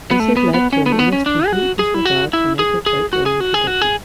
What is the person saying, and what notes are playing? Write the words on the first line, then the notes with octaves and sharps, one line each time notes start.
This had led to an almost complete disregard for native folklore and tradition.
B3
A3
B3
B3
C#4
B3
A3
B3
C#4
D4
G#4
F#4
G#4
E4
F#4
E4
G#4
G#4
F#4
G#4
F#4
G#4
F#4
G#4